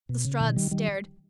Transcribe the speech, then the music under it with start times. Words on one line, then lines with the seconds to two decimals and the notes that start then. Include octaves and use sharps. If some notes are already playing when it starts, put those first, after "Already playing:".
Lestrade stared.
0.09 B2
0.25 C#3
0.40 B2 D#3
0.57 D#3 G3
0.71 D#3 G3